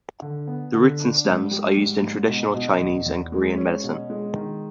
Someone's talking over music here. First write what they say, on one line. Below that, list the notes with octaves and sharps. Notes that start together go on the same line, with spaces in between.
The roots and stems are used in traditional Chinese and Korean medicine.
D3
B3
D3
D4
G#2
G3
G#2
G#2
B2
B2
E2
E2
G#3
C#4
B2
G#3
D#3